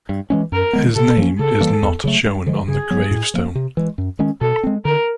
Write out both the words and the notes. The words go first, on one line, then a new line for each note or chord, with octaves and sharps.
His name is not shown on the gravestone.
G2
E3 G#3 C#4
F#2 A#4
D#3 G#3 B3
C3 A4
F3 A#3 C#4
C#3 A4
E3 G3 A#3
E2
C#3 F#3 A3
G2
D3 F3 G#3
C#3 G#4
F#3 B3
A2
F3 A#3
C3
E3 G#3
F#2
D#3 G#3 C#4
B2 A4
G#3 C4
D3 A#4